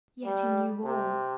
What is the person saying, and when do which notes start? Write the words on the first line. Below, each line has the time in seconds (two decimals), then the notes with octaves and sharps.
Yet he knew all.
0.25 G3
0.84 C3